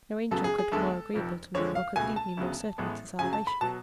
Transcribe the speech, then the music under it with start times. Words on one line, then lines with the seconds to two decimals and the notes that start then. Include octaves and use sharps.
No angel could be more agreeable to me, or could lead me more certainly to salvation.
0.31 F#2 C#3 F#3 B3 A4
0.44 G#4
0.58 G#4
0.72 D2 D3 G#3 B3 A4
1.14 F1 F2 F3
1.54 F2 D3 F3 G#3 C#5
1.75 F5
1.96 C#2 B2 A3 G#5
2.16 A5
2.37 D2 C#3 F#3 B3
2.78 A1 A2 G#3 B3
3.19 F#2 C#3 F#3 G#5
3.33 A5
3.47 B5
3.61 B2 F#3 B3 A5